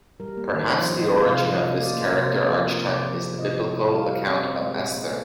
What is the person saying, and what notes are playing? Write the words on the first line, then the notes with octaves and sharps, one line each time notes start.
Perhaps the origin of this character archetype is the biblical account of Esther.
G3 A#4
A#3
D#3
F3 C5
F3
D#5
C4
C3 F5
F3
D#5
C3
A#3 D5
C5
A#3 A#4
C3 C5
A#3 A#4
F3 G#4
A#4
A#3 C5
C3 D5
F3
F3
C3 D#5
F3
C3
G3 F5
G3 F5
D#5
C4 D5
C4 C5
G#3
G#4
A#2
A#3 G#4